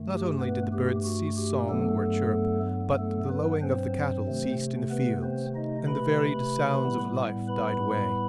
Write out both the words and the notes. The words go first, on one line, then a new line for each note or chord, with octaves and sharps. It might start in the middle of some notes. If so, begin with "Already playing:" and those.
Not only did the birds cease song or chirp, but the lowing of the cattle ceased in the fields and the varied sounds of life died away.
Already playing: G2 D#3 A3
G4
B3 B4
G4
F#4
G4
G2 F#3 A3 B3 A4
A3 A4
B3 B4
C4 C5
C3 D#3 A3
B3 B4
C4 C5
D#4 D#5
B4 B5
A2 G3 B3
B4 B5